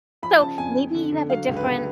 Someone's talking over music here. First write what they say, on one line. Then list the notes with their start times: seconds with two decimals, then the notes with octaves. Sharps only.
So, maybe you have a different,
0.22 F3 B5
0.40 C#3 A5
0.58 F2 G#5
0.76 F2
0.95 D3
1.12 D3
1.30 F#3 F5
1.48 C#2
1.56 B4
1.66 C#2